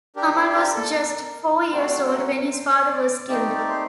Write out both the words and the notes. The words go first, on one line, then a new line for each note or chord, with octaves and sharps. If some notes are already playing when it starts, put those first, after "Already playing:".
Kamal was just four years old when his father was killed.
D4 G4 A#4
C5
A#4
A4
A#4
A3 C4 F#4 C5
A#4
C5
D5
A3 C4 D#4 G4 D5
A#4
C5